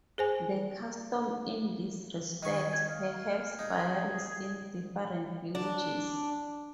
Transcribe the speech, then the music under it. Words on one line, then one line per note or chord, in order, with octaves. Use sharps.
The custom in this respect perhaps varies in different villages.
G#4 C5 G#5
D#3 G#4 C#6
G#6
F5
D#4 G#4
D4